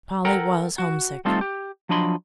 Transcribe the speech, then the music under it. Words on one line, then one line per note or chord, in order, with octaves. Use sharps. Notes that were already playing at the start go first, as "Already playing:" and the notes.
Polly was homesick.
A4 A#4 F#5 G5 A#5
F#4
G3 A3 C4 D#4 F4 A4
G4
F3 F#3 D4 D#5 B5 C6